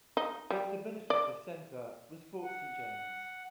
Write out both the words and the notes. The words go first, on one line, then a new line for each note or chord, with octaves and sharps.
Its administrative centre was Fort Saint James.
D#4
G3
D5
F#5